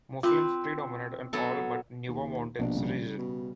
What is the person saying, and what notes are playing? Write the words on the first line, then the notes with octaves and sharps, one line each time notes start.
Muslims predominate in all but Nuba Mountains region.
C4 F4 B4
F#3 B3 A4
D#2
A#1 B2 D4
C#3 G3
B2